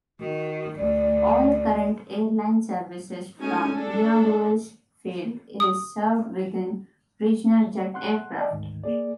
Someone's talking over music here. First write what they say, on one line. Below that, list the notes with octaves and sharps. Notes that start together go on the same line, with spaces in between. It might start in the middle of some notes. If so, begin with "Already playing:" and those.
All current airline service from Meadows Field is served with regional jet aircraft.
D#3 F#4
D2 D5
G#3 A3 C#4 D#4 F#4 G#5
D4 A4
D#6
F#5 C6 F#6
D5 D#5
D2 G#2 D#3
A#3 G#4 D5